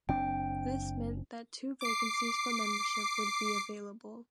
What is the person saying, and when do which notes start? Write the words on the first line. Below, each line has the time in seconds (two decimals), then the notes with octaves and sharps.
This meant that two vacancies for membership would be available.
0.09 F#1 C4 D4 G5
1.81 D6 C7